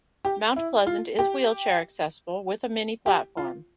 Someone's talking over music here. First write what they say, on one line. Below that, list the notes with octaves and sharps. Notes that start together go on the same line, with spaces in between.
Mount Pleasant is wheelchair-accessible with a mini-platform.
G4
E4
F4
G4
G4
F4